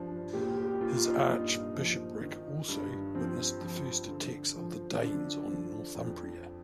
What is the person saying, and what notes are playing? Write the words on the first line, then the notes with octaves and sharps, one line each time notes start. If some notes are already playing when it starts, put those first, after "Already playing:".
His archbishorpric also witnessed the first attacks of the Danes on Northumbria.
Already playing: G2 F3 D4
A#2 G4
G4
A#2 F4
F4
D#4
G2
F3
D#3
G2
F3 C4
F3
D3
F3
D3 D4
F3
F2